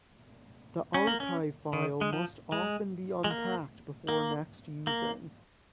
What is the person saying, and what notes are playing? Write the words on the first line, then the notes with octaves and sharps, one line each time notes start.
The archive file must often be unpacked before next using.
C#4
A#3
C#4
D#3
G#3
F3
G#3
G#3
A#3
A#3
A#3